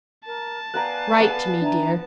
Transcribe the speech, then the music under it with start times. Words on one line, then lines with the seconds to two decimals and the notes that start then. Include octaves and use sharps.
Write to me, dear.
0.25 A#4 A5
0.74 B3 B4 D5 F5 G5 G#5 A#5 F#6
1.21 B3 B4 F#5
1.61 D4 E5 G#5 A#5